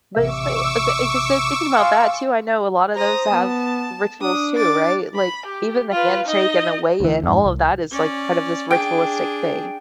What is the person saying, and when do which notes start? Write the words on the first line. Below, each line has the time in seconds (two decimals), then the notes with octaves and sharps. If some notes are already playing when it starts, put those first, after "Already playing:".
But, it's funny but, the like I said, thinking about that, too, I know a lotta those have rituals too, right? Like, even the handshake, and the weigh-in, all of that is, like, part of this ritualistic thing,
0.15 A1 C3 E5 C#6 D6 E6
1.78 F5 G#5 C6
2.94 C5 A#5 D#6
3.31 B3 A5
4.22 D4 D#6
4.55 D6 A6
5.16 B5
5.46 G4
5.92 F4 B4
6.26 D#4 D#5
7.00 D2 E3
7.23 F2 G#2
7.45 C2
7.91 C#4 D5
8.71 D4 G#4 G5